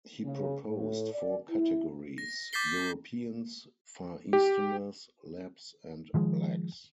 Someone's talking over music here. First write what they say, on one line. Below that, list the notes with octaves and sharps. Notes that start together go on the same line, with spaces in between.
He proposed four categories: Europeans, Far Easterners, Lapps, and Blacks.
C#3
A2
D5
E4
A#6
D6 G6 A6 B6 C7 G7
G4
D#3 F3 G#3